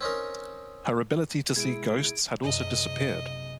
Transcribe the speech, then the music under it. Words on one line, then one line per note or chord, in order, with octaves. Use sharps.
Her ability to see ghosts had also disappeared.
C4 C#4 D#4 A#4
B2 G#3 E4 G#4 G#6 D7
F#1 F#2 C3 D#5